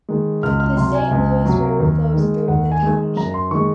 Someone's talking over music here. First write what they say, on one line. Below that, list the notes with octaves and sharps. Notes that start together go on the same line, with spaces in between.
The Saint Louis River flows through the township.
D#3 G#3
C#2 F6
F6
C3 F#3 C6
G#5
C#2
C3 F#3
D#2
D#3 G#3
D#2 F#5
G#5
D#3 G#3
F#2 A#5
C6
D#3 G#3 C#6